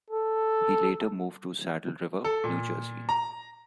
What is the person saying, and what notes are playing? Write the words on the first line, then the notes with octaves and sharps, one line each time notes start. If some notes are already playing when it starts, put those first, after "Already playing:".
He later moved to Saddle River, New Jersey.
A4
A4
A#2
A#5